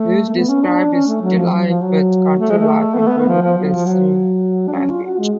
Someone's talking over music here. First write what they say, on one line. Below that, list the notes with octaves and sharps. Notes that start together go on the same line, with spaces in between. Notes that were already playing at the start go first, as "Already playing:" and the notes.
Pius described his delight with country life in very pleasing language.
Already playing: A3
A3
B3
C#4
D4
C#4
A3
F#3
F3
F#3
F3
F#3
A3
G#3
A3
B3
A3
B3
B3
F3
F3
F#3
F3
F#3
D4
C#4
F4
F#4
G#3